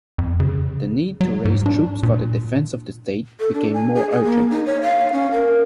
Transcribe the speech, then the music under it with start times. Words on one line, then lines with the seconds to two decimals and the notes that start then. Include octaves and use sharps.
The need to raise troops for the defense of the state became more urgent.
0.18 F2
0.40 C#3
1.21 F#3
1.45 G#2
1.66 D4
2.03 A#2
3.40 A4
3.54 D4
3.74 G#5
3.95 G#4
4.11 G#4
4.24 A#3
4.51 D#4
4.66 C#5
4.82 F5
5.13 C#4
5.32 A#4